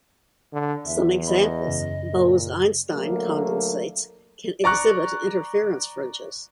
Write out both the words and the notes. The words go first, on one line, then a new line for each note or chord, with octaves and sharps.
Some examples: Bose-Einstein condensates can exhibit interference fringes.
D3
E2 E5
D#5 B5
F#2 C#3
A#2
D3 F#3 A3 A#3
D5 A#5 C#6 F#6